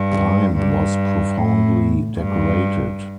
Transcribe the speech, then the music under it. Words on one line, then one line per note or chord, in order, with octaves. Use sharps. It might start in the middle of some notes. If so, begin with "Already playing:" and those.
Rein was profoundly decorated.
Already playing: G2
G2
A2
G2